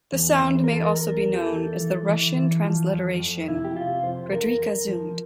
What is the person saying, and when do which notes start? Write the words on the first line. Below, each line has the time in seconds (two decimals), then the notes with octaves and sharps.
The sound may also be known as the Russian transliteration Fridrikhe Zund.
0.12 E2
0.41 E3
0.55 C5
0.64 A#4
0.69 E2 A4
0.83 A#4
0.96 E2 A#4
1.24 E2
1.34 G4
1.38 A4
1.52 E3
1.81 E3
2.08 E3
2.36 E3
2.64 F3
2.92 F2
3.20 F2
3.48 C3 E4
3.64 G4
3.76 C3 F4
4.03 F2 C5
4.32 F2 A#4
4.59 F2
4.88 F3